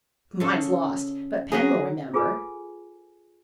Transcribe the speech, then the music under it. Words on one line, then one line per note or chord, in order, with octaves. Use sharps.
Mine's lost, but Pen will remember.'
C#3 A4
F#3 G#4 A#4 B4
F4 G#4 A4 B4 G#5